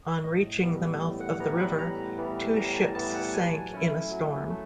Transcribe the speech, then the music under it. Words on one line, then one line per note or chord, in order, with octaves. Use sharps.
On reaching the mouth of the river, two ships sank in a storm.
A2 D#5
E3 G3 B3
A2
F#5
E3 G3 B3 A#5
B5
A2 A#5
E3 G3 B3
A2 A#5
A5
E3 G3 B3 A5
F#5
F#3 G#5
A3 C#4 E4
F#3
A3